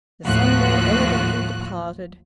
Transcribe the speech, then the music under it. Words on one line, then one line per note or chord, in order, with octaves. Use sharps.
The Sunday elegantly departed.
D#2 A2 F3 F4 F#4 F#6